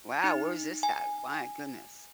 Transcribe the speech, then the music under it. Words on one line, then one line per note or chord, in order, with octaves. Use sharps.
Wow, where's this at? My goodness.
D#4
G#5